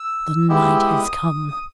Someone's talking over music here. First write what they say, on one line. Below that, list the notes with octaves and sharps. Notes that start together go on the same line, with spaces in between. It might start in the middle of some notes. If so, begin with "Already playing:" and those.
The night has come!
Already playing: E6
G#3 B3 E4 G4 E6
E6
D#6
D#6